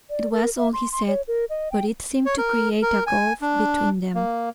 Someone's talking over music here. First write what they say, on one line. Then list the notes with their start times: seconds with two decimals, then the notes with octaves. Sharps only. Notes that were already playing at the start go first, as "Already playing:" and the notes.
It was all he said, but it seemed to create a gulf between them.
0.10 D5
0.32 A#4
0.58 E5
0.73 C6
0.92 C6
1.08 C#5
1.28 A#4
1.50 D#5
1.72 G5
2.26 C#5
2.38 A#4
2.82 A#4
3.07 G#5
3.42 D4
4.15 A#3